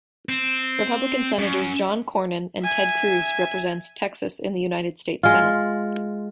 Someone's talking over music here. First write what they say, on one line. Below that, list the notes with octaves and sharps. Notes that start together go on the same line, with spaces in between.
Republican Senators John Cornyn and Ted Cruz represents Texas in the United States Senate.
C4
F#2
E5 G#5
G#3 F4